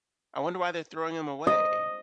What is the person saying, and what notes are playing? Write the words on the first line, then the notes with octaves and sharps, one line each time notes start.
I wonder why they're throwing 'em away.
D#5